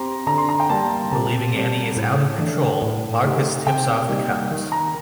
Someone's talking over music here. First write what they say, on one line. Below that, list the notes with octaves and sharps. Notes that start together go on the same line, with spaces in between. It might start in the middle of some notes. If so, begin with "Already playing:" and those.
Believing Annie is out of control, Marcus tips off the cops.
Already playing: C4 G4 A#5 C6
D3 A#5
C6
A#5
G5
G3 A#3 A5
C3 A5
G3 C4
A2
A3 D4
A2
A3 D#4 G4
C3 G5
G3 A#3 D#4 G4
D#3
A#5